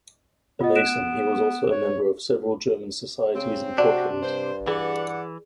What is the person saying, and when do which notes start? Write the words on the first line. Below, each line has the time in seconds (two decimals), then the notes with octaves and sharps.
A Mason, he was also a member of several German societies in Portland.
0.61 B3 F4 D#5
0.75 F#6 D7 E7
1.72 C#5
3.36 C#3 C4
3.78 C3 D4 F#4 D5
4.23 G2 C5
4.68 E3 G#4 D5 F#5